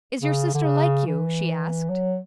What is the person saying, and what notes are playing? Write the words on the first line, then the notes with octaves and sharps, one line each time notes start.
"Is your sister like you?" she asked.
C#3
D3
C#3
E3
F#3